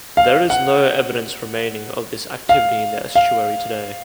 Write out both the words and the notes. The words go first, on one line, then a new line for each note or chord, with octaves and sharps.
There is no evidence remaining of this activity in the estuary today.
F5
F#5
F5
F5